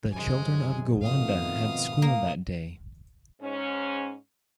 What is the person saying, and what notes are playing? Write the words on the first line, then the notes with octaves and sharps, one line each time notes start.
The children of Gowanda had school that day.
F#2 C3 D#3 G#3 G#5
F2 G#2 B2 D#3 A3 B3 F5 D#6
A#3
G#2 C#4